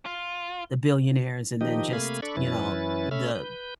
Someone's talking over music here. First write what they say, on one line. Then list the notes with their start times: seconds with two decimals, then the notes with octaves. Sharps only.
the billionaires and then just, you know, the
0.06 F4
1.61 D#3 F3 D#4 G4 D#5
1.93 C3 A3 A#3 F5 G#5 B5
2.22 D4 A4 D5 B5 C#6
2.37 F#2 E3 C#4 E4 B4 A6
3.11 A3 C#4 E5 B5 F6
3.35 B4 G6